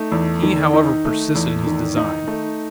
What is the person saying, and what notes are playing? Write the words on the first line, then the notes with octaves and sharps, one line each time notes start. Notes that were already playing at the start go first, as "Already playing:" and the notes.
He, however, persisted in his design.
Already playing: A3 D#4
E2
D#3
D#4
A3
E2
D#3
D#4
A3